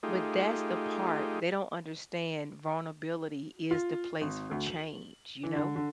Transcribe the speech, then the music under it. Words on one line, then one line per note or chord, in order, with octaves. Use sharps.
But that's the part, they don't understand vulnerability is the place for change, you know?
A3 D#4 F4 G4 G#4
F4
G#1
D2
F#7
E3
D3
D3